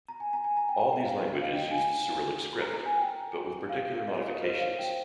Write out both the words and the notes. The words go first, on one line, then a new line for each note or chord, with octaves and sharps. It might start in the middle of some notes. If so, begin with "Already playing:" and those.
All these languages use the Cyrillic script, but with particular modifications.
A#5
G#5
A#5
G#5
A#5
G5
G5
G5
F5
D#5
D#5
F5
G5
G#5
A#5
A#5
G#5
G5
F5
F5
D#5
C#5
A#4
C5
F5
G5